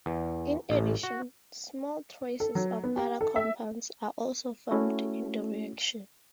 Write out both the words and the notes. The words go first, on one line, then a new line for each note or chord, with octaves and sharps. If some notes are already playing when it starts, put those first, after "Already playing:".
In addition, small traces of other compounds are also formed in the reaction.
E2
A1
F#4
A4
F#3
B3
G4
A4
E5
A3 C#4 E4 F#4